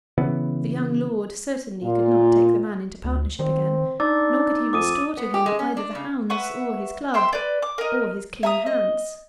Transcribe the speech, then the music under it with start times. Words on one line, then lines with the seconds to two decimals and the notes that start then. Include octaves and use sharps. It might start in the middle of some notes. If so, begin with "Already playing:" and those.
The young Lord certainly could not take the man into partnership again, nor could he restore to him either the hounds or his club,--or his clean hands.
0.18 C#3 E3 B3
1.83 A#2 F4
3.04 D2
3.39 D#3 C4
4.00 D4 D#4 D6 E6 A6
4.73 F2 D6 D#6 D#7
5.17 B3
5.34 G4
5.46 G#3
5.59 C#4
5.77 D4
5.95 C#3
6.30 B4 E5 F#5 C#6
7.14 C5 E5 G5 C6
7.33 B4 D5
7.62 D6
7.78 A#4 D#5
8.43 E5 A#5 D#6
8.66 D#5